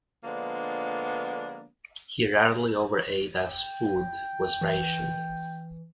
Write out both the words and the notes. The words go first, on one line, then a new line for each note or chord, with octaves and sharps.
He rarely over ate as food was rationed.
D3 F3 G#3 A#3 B3 D4
G5
E3